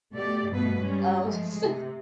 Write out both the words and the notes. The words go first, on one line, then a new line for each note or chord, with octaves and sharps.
um, so
B2 A3 G4 D5
G2 B2 A3 B3 B4
G3 G#3 C#4
F3 G#3 A3
C3